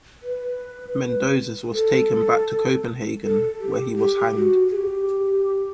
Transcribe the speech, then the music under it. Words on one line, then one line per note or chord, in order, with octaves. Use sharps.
Mendoses was taken back to Copenhagen where he was hanged.
B4
A4
A4
G4
G4
F#4
G#4
G4